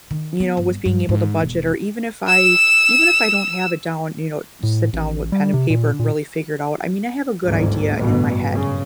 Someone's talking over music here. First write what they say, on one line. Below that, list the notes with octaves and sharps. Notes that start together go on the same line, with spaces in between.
you know, with being able to budget or even if I even if I don't have it down, you know, sit down with pen and paper and really figure it out, I mean, I have a good idea in my head
D#3
B3
G1
G2
G#2
E1
E6 E7
A2
A1
G3
C3
A#2
A#2
G1 D2 G#2
A1 G2 B2
F#2 C#3